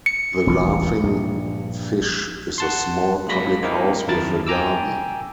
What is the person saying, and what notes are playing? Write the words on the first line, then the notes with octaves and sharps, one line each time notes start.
"The Laughing Fish" is a small public house with a garden.
C#7
E1 A1 D#2
A#1 G2
F#5 A5 C6
F#3 G#3 A#3 B5 A#6 B6
A#3 C4 D#4 E4 A#4
F#2 D#3 E4 A#4 A5 A6
G5 G#5 A#5 D6 E6